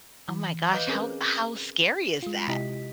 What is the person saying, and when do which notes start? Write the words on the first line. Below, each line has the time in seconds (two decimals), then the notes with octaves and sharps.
Oh my gosh, how how scary is that?
0.28 E3
0.71 B4 D#5 F5 D6 F#6 G6
0.88 C4 C#4 G#4 A#4 B4
2.23 G#3 F4
2.48 C3 E4 G4 D#5 B6